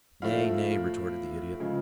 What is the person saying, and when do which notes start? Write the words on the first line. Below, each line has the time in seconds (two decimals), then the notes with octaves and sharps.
"Nay, nay," retorted the Idiot.
0.22 A2 F3 A3 F5
1.60 C#3 F3 G#3